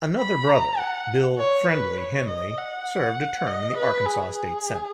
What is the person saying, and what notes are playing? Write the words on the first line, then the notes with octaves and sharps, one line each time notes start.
Another brother, Bill "Friendly" Henley, served a term in the Arkansas State Senate.
B5
A#5
F#5
C#5
B4
C#5
D#5
F#5
D#5
B4
G#4
G#4